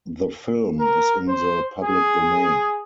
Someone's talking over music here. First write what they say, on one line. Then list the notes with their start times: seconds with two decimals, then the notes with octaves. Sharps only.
The film is in the public domain.
0.80 A#4
1.28 C5
1.84 G#4